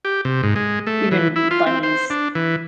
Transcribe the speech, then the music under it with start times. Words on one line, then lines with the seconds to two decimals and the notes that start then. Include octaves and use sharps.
even bunnies.
0.05 G4
0.25 C3
0.43 G#2
0.56 G#3
0.87 A3
1.11 E3
1.36 E4
1.51 F4
1.66 C4
1.83 C5
2.10 D4
2.35 E3